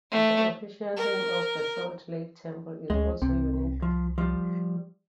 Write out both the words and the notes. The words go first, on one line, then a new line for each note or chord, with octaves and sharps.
The official name of the Salt Lake Temple is also unique.
A3
A#4
D2 G#3 C#4
C2 C3
F3
F3 G3